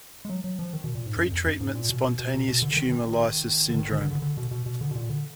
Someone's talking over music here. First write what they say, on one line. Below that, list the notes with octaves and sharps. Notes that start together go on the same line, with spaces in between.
Pretreatment spontaneous tumor lysis syndrome.
G#3
F#3
F#3
F3
D#3
B2
A#2
G#2
F#2
F2
F#2
G#2
A#2
B2
B2
B2
B2
B2
D3
D3
D#3
D#3
D3
D#3
D3
D3
D3
D3
B2
B2
B2
D3
B2
A#2
D3